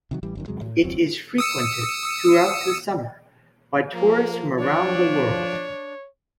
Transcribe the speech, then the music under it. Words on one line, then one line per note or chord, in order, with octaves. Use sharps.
It is frequented throughout the summer by tourists from around the world.
C3 D#3 F#3
A1 E3 G3
G1 F#2 D#3
E2 C3 F#3 G#3
A2
F#1 D#2 F#3 C4
D#6 E6 C#7
F3 A#3
D4 C#5